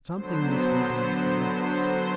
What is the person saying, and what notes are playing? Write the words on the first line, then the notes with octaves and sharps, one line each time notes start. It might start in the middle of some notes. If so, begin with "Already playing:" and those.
Something must be done at once.
D3 F#3 B3 C5
C5